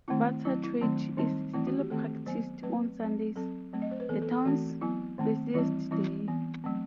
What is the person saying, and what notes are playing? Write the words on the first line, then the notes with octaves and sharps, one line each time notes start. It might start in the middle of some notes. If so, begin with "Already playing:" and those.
Barter trade is still practiced on Sundays, the town's busiest day.
D#3 A3 C4 E4
F#3 C4 E4
E4
D#3 F#3 A3 C4
D#3 G3 C4 D#4
E3 A3 C4 E4
F#4
G4
D#3 A3 C4 A4
F#3 B3 C5
F#3 A3 C4 B4
F#3 C4
F#3 C4 A4
F#3 A3 C4
D#5
C5
B4
E3 B3 A4
A4
A4
E3 A3 C4 F#4
F#3 B3 E4
D#3 A3 C4
E3 G3 C4 E4
E3 G3 C4 E4
E3 B3
F#3 A3 C4